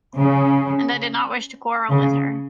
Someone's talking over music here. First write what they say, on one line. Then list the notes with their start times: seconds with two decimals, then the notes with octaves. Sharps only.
And I did not wish to quarrel with her.
0.19 C#3
1.90 C#3